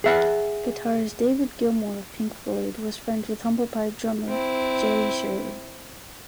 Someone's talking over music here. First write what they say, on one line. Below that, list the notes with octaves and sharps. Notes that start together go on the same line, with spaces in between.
Guitarist David Gilmour of Pink Floyd was friends with Humble Pie drummer Jerry Shirley.
G#4 E5 F#5
C4 E4